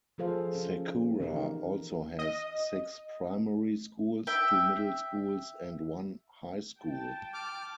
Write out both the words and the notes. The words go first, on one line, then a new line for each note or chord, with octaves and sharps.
Sakura also has six primary schools, two middle schools and one high school.
F3 F4 G#4 A4 C5 F5
C#4
D#3 E3 B3 D#4 G4 A#4
D#5
E5 G5
G5 A5
D6 F6